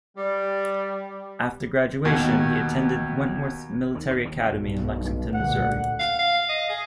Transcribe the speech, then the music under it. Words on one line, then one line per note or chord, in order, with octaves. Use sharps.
After graduation, he attended Wentworth Military Academy in Lexington, Missouri.
G3
D#2 B2
D#2
B1 G2 B2
D2 A#2 D3 F#5
F5
F5
D#5
G#4